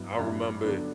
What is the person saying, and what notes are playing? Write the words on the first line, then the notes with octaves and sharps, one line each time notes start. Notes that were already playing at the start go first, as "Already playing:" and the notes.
I remember
Already playing: G2 F#3 B3 E4
G2 F#3 B3 E4
D3 F#3 B3 D4